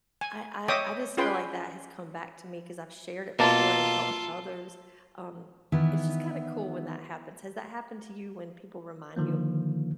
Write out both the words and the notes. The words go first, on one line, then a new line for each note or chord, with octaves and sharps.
I I I just feel like that has come back to me 'cause I've shared it before and it helped others, um, it's just kinda cool when that happens. Has that happened to you when people remind you of
G#5
C#5 D#5 E5 G5 D6 D#6
C#4 F4 G#4 B4 G5 C6
B2 A#3 F4 A4 A5
D#3 E3 B3 E4 B4
D3 D#3 F3 A#3